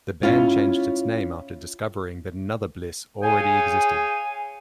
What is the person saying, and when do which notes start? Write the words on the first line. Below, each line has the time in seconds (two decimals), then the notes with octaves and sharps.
The band changed its name after discovering that another "Blisse" already existed.
0.23 C#4 E4 F4
3.22 G#4 C#5 F5 G5 G#5